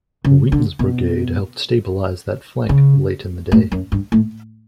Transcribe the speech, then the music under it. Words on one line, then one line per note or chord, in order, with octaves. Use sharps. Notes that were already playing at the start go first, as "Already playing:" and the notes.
Wheaton's brigade helped stabilize that flank late in the day.
C#3
D3
B2
C#3
A2
F#2
G2
A2